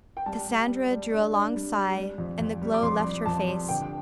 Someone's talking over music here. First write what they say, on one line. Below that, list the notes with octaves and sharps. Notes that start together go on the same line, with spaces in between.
Cassandra drew a long sigh, and the glow left her face.
G5
G3 A5
G3
G3
G3
D4
D4
G3
G3
G3
F2
F2
G3
D6
F2 C6
G3
F2 A5
G3
D3 G5